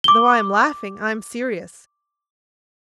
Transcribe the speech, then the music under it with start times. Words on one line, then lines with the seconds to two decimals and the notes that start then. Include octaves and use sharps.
Though I am laughing, I am serious.
0.04 D6 G7